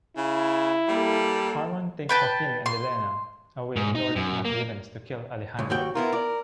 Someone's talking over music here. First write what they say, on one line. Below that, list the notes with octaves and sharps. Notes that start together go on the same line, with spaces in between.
Armand takes Joaquin and Elena away and orders McGivens to kill Alejandro.
C#3 E4
G3 A#3 A4
B4 G5 A5
C6
G#2
D#4
F#2
A#3
C#2 G2
D#2 F#4 G5
B3 E4 F4 A#4
D5